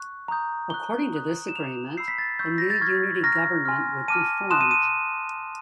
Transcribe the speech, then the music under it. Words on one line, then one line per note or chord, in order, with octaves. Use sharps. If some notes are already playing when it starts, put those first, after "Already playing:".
According to this agreement, a new unity government would be formed.
Already playing: C#6 F#6
A#5 D#6 G6
C#6 F#6 G7
A#5 D#6 F#6
E7
A#5 D6 G6 F7
B5 E6 G6 C7
B6
A6
C#6 E6 G6
A#6
A6
C#6 F6 G#6
A#5 C#6 F6 A#6
G#5 C6 F6
A5 D6 F6 D#7
A5 C6 D#6 F#6 E7
D#7
D#7